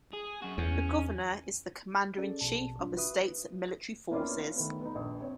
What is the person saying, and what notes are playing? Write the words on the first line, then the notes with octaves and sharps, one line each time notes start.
The governor is the commander-in-chief of the state's military forces.
G#4
F#2 F#4
E2 C#4
C#4 G#4 A4 D5
A#1 B2 A5
G#1 F#3 D4 F4
F#4 B4 E5 D#6
A#3 B3 C#4 D4 E4 F4
D#3 A3 B3
B3 D#4
A#1
C4 C#5